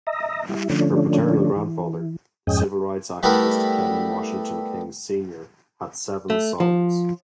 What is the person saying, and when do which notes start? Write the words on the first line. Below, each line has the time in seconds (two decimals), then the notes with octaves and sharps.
Her paternal grandfather, the civil rights activist, Clennon Washington King, Senior had seven sons.
0.07 D#5 E5 A#5
0.49 G3 E4
0.70 D3 F3 A3 C#4 D4
1.56 E3
2.47 F2 G#2 C#4 G#4 D#5 G5
3.23 G3 A3 B3 E4 A#4 B4
6.30 A3
6.60 F3